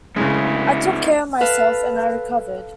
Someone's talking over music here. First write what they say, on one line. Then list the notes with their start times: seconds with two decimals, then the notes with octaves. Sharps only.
I took care of myself and I recovered.
0.16 D2 C#3 G#3 E4
1.41 A4 B4 F5